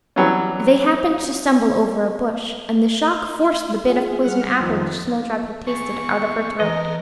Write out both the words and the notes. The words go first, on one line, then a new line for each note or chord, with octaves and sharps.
They happened to stumble over a bush, and the shock forced the bit of poisoned apple which Snowdrop had tasted out of her throat.
E3 F#3 G3 B3 C#4
F4 G#4
G3 F#5 F6
F2 D#3 F3
B3 G#4 C#6
E3 A4 A#4 D#5